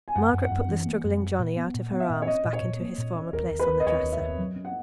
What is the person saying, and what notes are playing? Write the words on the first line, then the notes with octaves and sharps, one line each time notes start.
Margaret put the struggling Johnnie out of her arms, back into his former place on the dresser.
G#5
F#2 F#5
F#2
F#5
F#2
E3
A#3
F#2
G#3
A#2
B3
A#2
B3 F#5
E5
A#2
C#5
C#4 D#5
A#2
C#5
A#2
A#3
A#2
C#4
D#2 A#4
D#2
B4
D#2
D#5
D#2 C#5
D#2
E5
D#2
F#3
C#4
F#5